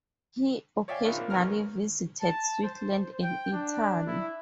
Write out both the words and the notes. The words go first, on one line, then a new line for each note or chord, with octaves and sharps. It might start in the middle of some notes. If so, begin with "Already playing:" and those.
He occasionally visited Switzerland and Italy.
C#5 D5 E5 F5 G5 G#5
A#1 D#3 F4 C#6
A#3 C4
D#2 B3 C#4 A#4 F6
A5
C5
G5
D4
E4